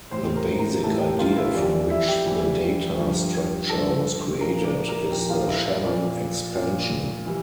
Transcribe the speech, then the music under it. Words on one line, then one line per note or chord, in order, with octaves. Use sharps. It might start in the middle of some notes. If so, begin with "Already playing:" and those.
The basic idea from which the data structure was created is the Shannon expansion.
A2 E3 G3 C5 C6
A#4 A#5
A#4 A#5
A2 E3 G3 A4 A5
G4 G5
F4 F5
E4 E5
F2 E3 G3 D5
D5
E4 E5
G4 G5
F2 E3 G3
G2 F3
G2 F3 A4 A5
A#2 F3 A#4 A#5
D5 D6
A#4 A#5
A#2 F3 G4 G5
F4 F5
E4 E5
D5
A#2 F3 D5
A#2 F3
E3 G3